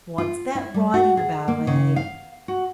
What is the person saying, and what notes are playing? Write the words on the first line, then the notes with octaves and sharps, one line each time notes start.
'What's that writing about, eh?'
F4
E4
G3
F#4
G#4
A#3
C#3
F5
F#4